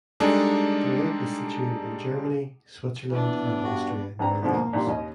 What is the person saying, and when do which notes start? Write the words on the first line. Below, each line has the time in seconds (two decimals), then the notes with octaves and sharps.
The lake is situated in Germany, Switzerland and Austria near the Alps.
0.20 G3 G#3 D4 D#4 G#4 A4
3.10 E3 B3 D4
3.64 G2 F#4
4.19 G#1 D4 B4 G5 A#5
4.42 G#2 B2 D3 F3 B3 C4
4.53 A#3
4.73 A#2 D#3 G3 D4 C6
4.87 D#2 C#4 D#5